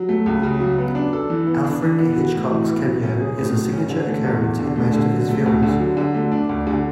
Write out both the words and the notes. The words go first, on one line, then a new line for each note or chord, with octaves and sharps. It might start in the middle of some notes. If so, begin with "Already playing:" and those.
Alfred Hitchcock's cameo is a signature occurrence in most of his films.
Already playing: F#3
A3
C#2
C#3
F#3
B3
D4
A4
E3
B3
D4
E3
B3
F#4
A2
E3
B3
F#3
C#4
G#4
A2
F#3
C#4
D3
A3
E2
E2
D3
A3
D3
F#3
A3
D2
D3
F#3
D3
A3
D4
D2
D3